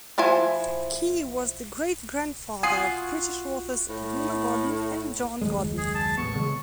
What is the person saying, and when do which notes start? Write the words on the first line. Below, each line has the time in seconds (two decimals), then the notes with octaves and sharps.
Key was the great-grandfather of British authors Rumer Godden and Jon Godden.
0.18 F3 E4 C5 G#5
2.63 F4 F#4 G#5 D#6 C7
3.89 A2
5.42 F#1 D#2 G#3
5.78 G#4
5.95 A5
6.18 A1 B3 C#6
6.35 C#3 G#3